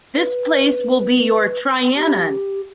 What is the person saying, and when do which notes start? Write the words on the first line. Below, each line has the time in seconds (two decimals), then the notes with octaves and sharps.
This place will be your Trianon.
0.16 B4
1.96 G4